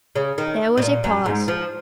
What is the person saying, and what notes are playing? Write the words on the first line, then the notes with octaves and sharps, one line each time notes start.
There was a pause.
C#3
D#3
B2
A#2
F#2
G#2
F3